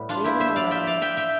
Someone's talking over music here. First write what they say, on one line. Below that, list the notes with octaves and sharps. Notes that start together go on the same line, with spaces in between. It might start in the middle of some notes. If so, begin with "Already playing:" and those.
'Leave him alone.
Already playing: A2 G3 B3
D4 F4
E4 G4
C5 E5
D5 F5
E5 G5
D5 F5
E5 G5
E5 G5